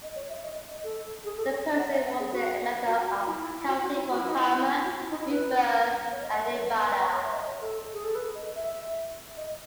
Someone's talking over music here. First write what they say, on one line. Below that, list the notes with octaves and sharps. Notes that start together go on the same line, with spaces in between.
The "person" was their method of accounting for karma, rebirth, and nirvana.
D#5
C#5
E5
D#5
D#5
A4
G#4
A4
C#5
F#5
E5
F#5
G#4
F#4
F#4
F#4
E4
E4
F#4
F#4
E4
F#4
E4
D#4
E4
F#4
E4
D#4
E4
B4
C#5
D#5
F#5
E5
C#5
B4
B4
B4
C#5
E5
D#5
C#5
A4
G#4
A4
B4
D#5
E5
D#5